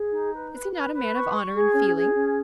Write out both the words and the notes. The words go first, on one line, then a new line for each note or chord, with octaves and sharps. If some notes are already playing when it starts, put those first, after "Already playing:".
Is he not a man of honour and feeling?
Already playing: G#4
D#4
B4
B4
B4
B4
C#6
C#6
G#4
C#4
G#4
C#4